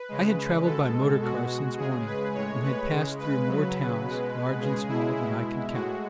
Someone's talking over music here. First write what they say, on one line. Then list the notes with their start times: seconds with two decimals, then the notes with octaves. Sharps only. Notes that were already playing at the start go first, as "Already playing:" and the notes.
I had travelled by motor car since morning, and had passed through more towns, large and small, than I can count.
Already playing: B4
0.09 C#3 G#3
0.65 B2 G#3 A4
1.21 B2 G#3 F#4
1.77 C#3 G#3 G#4
2.06 B4
2.34 A2 G#3 C#5
2.63 B4
2.91 C#3 G#3
3.19 B4
3.47 C#3 F#3
4.04 B2 G#3
4.60 C#3 G#3 G#4
4.88 E4
5.17 B2 G#3 E4
5.73 A2 G#3 F#4